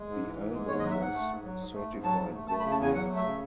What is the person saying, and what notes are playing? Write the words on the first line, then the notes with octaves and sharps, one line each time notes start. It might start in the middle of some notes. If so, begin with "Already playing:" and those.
The album was certified gold.
Already playing: G#3
G#2
E3
G#2
G#3
G#2 C#5
D#5
F#3
E5
G#2 F#5
A3
G#2
F#3
G#2
A3
G#2
F#3 A5
G#2
A3
A3 A5
B5
C#3
A5
E2 G#5
F#3 F#5
A3
E5
C#3